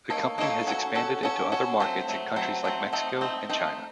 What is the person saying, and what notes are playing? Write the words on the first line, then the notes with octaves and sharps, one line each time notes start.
The company has expanded into other markets in countries like Mexico and China.
A#3 D#4 A4 C#5
A#3 D#4 A4 C#5
C#4 F#4 A4 C#5
C#4 F#4 A4 C#5
C#4 F#4 A4 C#5
C#4 F#4 A4 C#5
F#3 A3 C4
F#3 A3 C4
F#3 A3 C4
F#3 A3 C4
A3 C4 D#4
A3 C4 D#4
A3 C4 D#4